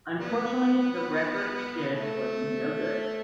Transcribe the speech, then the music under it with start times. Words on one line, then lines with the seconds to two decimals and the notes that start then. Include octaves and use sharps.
Unfortunately, the record we did was no good.
0.19 G3 B3
1.94 A3